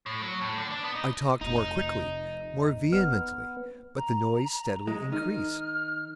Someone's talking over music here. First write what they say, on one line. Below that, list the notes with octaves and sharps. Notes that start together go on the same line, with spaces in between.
I talked more quickly--more vehemently; but the noise steadily increased.
A2
F#3
A2
D3
D4
B3
D#4
F1 D#4
B3 F6
A#5
G#3
D#3 D#4 F6